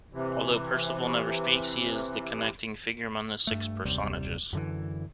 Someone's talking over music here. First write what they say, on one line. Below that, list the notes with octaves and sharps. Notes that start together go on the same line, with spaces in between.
Although Percival never speaks, he is the connecting figure among the six personages.
C3 E3
G2 A3
F#1 D#2 C3 G3
F#2 D3 E3